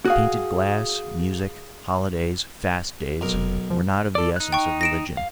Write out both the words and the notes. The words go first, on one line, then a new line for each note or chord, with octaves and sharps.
Painted glass, music, holidays, fast days, were not of the essence of religion.
F#4 G#4 F5
B1 A#4
F1
F3
A4 D5
D#4 F#6
G5 C#6
A#6 D7 E7
F5